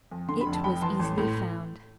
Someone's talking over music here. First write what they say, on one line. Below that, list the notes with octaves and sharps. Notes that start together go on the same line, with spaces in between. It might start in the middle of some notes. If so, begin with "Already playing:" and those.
It was easily found.
F2
D3 C6
B5
F1
A5
F2 G5 B5
E3 A5 C6
A1
A2